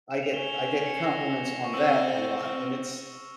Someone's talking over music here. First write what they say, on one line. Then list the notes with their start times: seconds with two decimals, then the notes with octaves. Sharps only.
I get I get compliments on that a lot, and it's
0.11 E7
0.23 F7
0.34 C#4 G7
0.52 F7
0.68 E7
0.86 C#7
0.97 C7
1.04 A#6
1.64 C#6
1.73 C4 E6
2.42 C4 F6